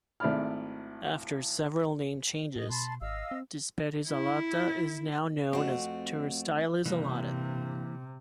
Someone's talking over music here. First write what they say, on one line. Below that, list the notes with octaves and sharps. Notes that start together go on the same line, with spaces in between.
After several name changes, "Disperis alata" is now known as "Pterostylis alata".
G#1 A3 E4 D5 B5 F6
A2 D#5
B2 A5 B5 C6
G#1 D#5 F5 E6
C4
E4
F2 A3 C4 F#4
G2 C3 E3 A#3